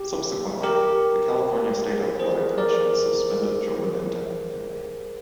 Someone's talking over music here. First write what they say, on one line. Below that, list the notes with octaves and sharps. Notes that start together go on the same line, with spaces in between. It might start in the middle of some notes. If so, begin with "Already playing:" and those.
Subsequently, the California State Athletic Commission suspended Jordan indefinitely.
Already playing: G4
G4 A#4
G#4 C5
A#4 D5